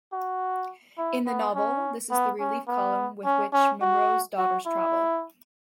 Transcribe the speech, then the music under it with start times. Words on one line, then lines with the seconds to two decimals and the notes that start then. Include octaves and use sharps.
In the novel, this is the relief column with which Monro's daughters travel.
0.13 F#4
0.98 E4
1.27 B3
1.54 C#4
2.11 B3
2.40 C#4
2.68 B3
3.25 C#4
3.53 C#4
3.81 F#4
4.38 F#4
4.66 E4